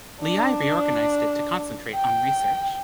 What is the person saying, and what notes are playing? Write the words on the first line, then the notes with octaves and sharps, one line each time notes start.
Liais reorganized it to concentrate on research.
D4
G5